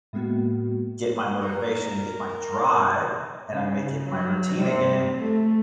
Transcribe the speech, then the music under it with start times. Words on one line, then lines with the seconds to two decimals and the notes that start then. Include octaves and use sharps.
get my motivation, get my drive, and I make it my routine again,
0.13 A2 G#3 A#3 B3 F#4
1.40 A#4
3.50 C#3
4.04 F#3
4.56 C3
5.21 A3